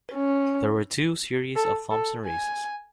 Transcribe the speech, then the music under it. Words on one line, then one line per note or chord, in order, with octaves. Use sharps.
There were two series of Thompson races.
C#4
A4
A4
G#5